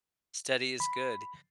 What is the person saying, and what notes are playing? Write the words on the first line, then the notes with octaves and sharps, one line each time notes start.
Steady is good.
B5